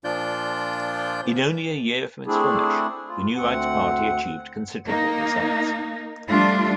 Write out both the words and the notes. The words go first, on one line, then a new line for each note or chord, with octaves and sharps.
In only a year from its formation, the New Rights Party achieved considerable results.
A#2 F3 D4 F4 D5 G6
A3 C4 D4 E4 G#4
F4
D2 C4 F#5
A#3 D#4
F3 G3 A3 D4 F4